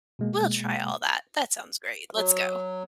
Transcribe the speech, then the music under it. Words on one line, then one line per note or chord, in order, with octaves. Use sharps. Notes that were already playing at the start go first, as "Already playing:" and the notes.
we'll try all that, that sounds great, let's go."
B2 G#3 A#3
F#3